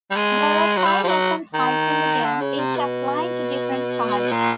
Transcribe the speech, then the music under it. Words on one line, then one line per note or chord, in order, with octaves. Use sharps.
There are five Lesson types in the game, each applying to different cards.
G3
G#3
F#3
G3
F3
F#3
D#3
D3
C#3
C3
B2
A#2